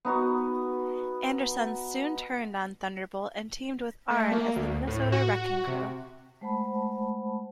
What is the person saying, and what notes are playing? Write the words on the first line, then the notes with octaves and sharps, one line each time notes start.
Anderson soon turned on Thunderbolt and teamed with Arn as the Minnesota Wrecking Crew.
B3 D#4 F#4
A3
A#3
D2
A2
F#4
C3
G#3 A3 C5 F#5 A5 B5